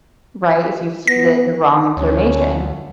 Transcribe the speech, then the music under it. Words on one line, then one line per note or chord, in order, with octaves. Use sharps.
right, if you feed it the wrong information.
B3 A#6
D2 C#4